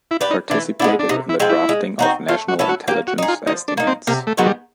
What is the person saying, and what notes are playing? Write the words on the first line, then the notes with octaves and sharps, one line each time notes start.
He participated in the drafting of National Intelligence Estimates.
E4
D4 G4 B4
D#4
E3 D4
G#3 B3 D4 E4
D4
C3 D#4
E4
F3 G#3 C4
E4
G#3
C4 D#4 F#4
A3 F4
F#4
C#4 E4 A4
F#4
A#3 G4
F#4
D#4 G#4
F4
F3 D#4
D4
A#3 D#4
C4
C3 A#3
A3
D#3 F#3 G#3 B3
G3